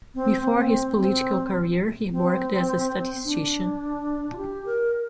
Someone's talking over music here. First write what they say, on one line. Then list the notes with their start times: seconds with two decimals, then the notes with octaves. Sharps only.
Before his political career he worked as a statistician.
0.15 C4
0.42 C4
0.98 C4
2.11 C4
3.24 D4
4.32 F4
4.37 G4
4.66 A#4